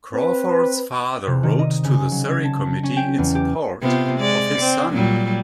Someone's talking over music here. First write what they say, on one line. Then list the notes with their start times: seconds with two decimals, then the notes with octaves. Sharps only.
Crawford's father wrote to the Surrey committee in support of his son.
0.14 C4 B4
1.27 C3
1.43 D#3
1.59 D#5
1.84 C#3
2.12 F#3
2.31 G#6
2.44 A5
2.83 C#4
2.97 G5
3.18 E2
3.35 G4
3.81 C3 B3 F4
4.19 G#3 D5
4.59 C4
4.92 A#2 F#3 G3